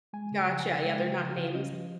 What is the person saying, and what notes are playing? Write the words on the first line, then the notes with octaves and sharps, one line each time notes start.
Gotcha. Yeah, they're not names,
G#3 G#5
C#3
F3 G5
G#5
C#3 G5
G#3
C#3
F3
C#3
F5
C#4 D#5
F3